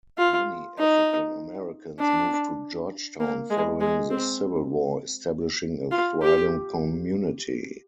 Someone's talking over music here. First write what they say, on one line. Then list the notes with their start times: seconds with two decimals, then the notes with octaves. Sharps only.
Many African Americans moved to Georgetown following the Civil War, establishing a thriving community.
0.18 F4
0.79 D#4
1.99 D4
3.20 A#3
3.50 G#3
3.80 G#3
4.11 C4
5.91 F4
6.22 G4